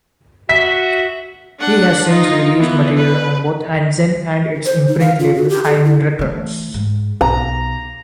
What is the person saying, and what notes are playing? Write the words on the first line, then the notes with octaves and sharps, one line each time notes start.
He has since released material on both Ant-Zen and its imprint label Hymen Records.
F#4 E5 B6
D4 F#5
D#4 F4
E3 B3
B4
C5
D#4
F5
F4
F#4
G4
A4
E4
E3 A3
G#2
B1 A#5